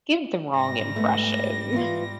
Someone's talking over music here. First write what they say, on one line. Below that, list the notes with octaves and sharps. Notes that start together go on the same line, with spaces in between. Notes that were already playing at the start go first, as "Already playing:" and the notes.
give the wrong impression.
G#2 G3 A#6
A3 B3
E3 B3 F4